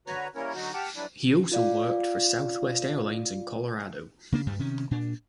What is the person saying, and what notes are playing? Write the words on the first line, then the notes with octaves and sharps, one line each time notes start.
He also worked for Southwest Airlines in Colorado.
D3 F#4 B4 C#5 A#5 C#6
G3 A#3 C#4 E4 A#4 C#5
D3 F#3 D#4 F#4
G4 F#5 G5 A5 D6 F6
F#3 G3 D4 E4 B4 D5
F4 D5 F5
C#3 A#3 D4
D2 G2 G3
C3 D#3 C#4
A#2 D4